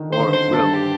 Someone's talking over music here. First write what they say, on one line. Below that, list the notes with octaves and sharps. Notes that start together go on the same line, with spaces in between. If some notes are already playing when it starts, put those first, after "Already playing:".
or really
Already playing: D3 D#3
C5
D3
C5
G2
A4
G4